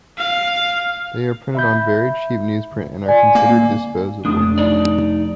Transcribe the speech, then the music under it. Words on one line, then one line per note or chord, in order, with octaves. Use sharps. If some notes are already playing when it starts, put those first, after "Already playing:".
They are printed on very cheap newsprint and are considered disposable.
F5
E5 B5 G6
D5 G#5
A#3
F1 D4 D#6
D#4 D5